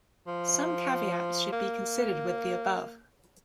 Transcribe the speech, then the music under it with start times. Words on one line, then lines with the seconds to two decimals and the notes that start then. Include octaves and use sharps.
Some caveats should be considered with the above.
0.27 F3
1.52 A#3